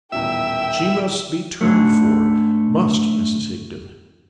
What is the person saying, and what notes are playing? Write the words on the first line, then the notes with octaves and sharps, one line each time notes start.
And she must be turned for, must Mrs Higden.
D#1 A1 B2 E5 G5
G#2 D3 A3